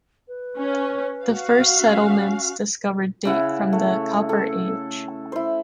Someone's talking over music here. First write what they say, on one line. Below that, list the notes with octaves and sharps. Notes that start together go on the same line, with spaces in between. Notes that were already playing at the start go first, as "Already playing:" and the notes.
The first settlements discovered date from the Copper Age.
B4
C#4
F#4 F5
C#4
C#3 E4 F#5
A3
A4
E4 C5